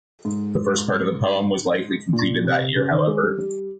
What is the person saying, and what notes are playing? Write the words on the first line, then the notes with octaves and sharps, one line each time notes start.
The first part of the poem was likely completed that year, however.
G#2
A#2
C3
C#3
D#3
G#3
G3
G3